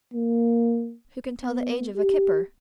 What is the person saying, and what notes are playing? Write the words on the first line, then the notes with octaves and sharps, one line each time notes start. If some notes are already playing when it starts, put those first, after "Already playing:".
Who can tell the age of a kipper? . . .
A#3
B3
G4